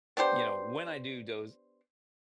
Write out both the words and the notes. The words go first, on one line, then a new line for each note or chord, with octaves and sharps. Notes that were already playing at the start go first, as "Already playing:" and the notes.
you know, when I do doze
B3 D4 G4 C5